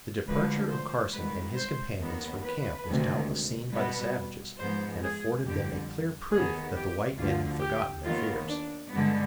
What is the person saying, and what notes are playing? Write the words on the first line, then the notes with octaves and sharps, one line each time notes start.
The departure of Carson and his companions from camp was doubtless seen by the savages and afforded them a clear proof that the white men had forgotten their fears.
D2 D3 F3 G#3 B4
C5
G#2 D#3 G3 B4
C5
D#2 D#3 B3
B4
D2 C3 D#3 G#3
B2 G3 B3 B4
G#2 F3 G#3 B3 C5
G#4
F2 D3 G3 G4
D#2 D#3 B3 G#4
G4
D2 D3 F3 F4
G4
D#2 D#3 B3 F4
D4
G2 D3 G#3 B3